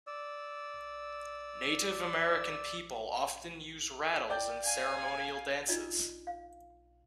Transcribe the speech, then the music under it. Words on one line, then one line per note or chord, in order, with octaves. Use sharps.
Native American people often use rattles in ceremonial dances.
D5 E6
D5 G5 G6
F5 G#5
D4 D#4 F4 D5 D#5 G#5
F5